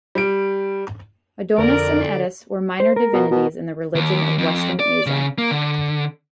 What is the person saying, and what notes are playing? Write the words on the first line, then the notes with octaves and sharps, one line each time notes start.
Adonis and Attis were minor divinities in the religion of Western Asia.
G3 D7
F2 D3 A#4 D5
C5
A#4
B2
B2
D#2
F2
D5
C#3
A#3
D3